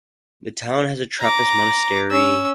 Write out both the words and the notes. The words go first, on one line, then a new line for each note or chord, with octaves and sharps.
The town has a trappist monastery.
A#5 D6
C#4 E6